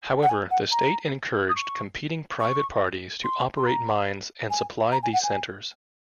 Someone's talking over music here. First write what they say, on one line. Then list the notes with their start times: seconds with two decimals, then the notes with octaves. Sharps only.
However, the state encouraged competing private parties to operate mines and supply these centers.
0.22 F#5
0.29 G#5
0.50 F#5
0.71 A#5
1.49 D#6
1.55 C#6
2.39 C#6
3.23 C6
3.56 C6
3.66 A#5
4.50 G#5
4.91 A#5
5.03 G#5
5.13 F#5
5.23 G#5